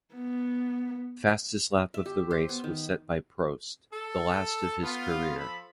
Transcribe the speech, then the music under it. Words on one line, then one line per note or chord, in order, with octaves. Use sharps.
Fastest lap of the race was set by Prost, the last of his career.
B3
E5
G4
C5
B3
D#3
A4
B3 F4
F3 A4 B5